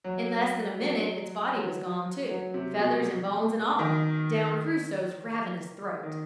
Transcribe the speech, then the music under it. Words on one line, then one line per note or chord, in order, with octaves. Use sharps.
In less than a minute its body was gone too--feathers and bones and all--down Crusoe's ravenous throat.
F#3
F#3
F#3
F#3
C3
B2
D#3
D#3